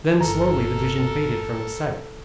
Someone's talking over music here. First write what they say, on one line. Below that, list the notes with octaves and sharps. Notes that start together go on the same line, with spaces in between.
Then slowly the vision faded from his sight.
G1 E3 A4 A#4 A#5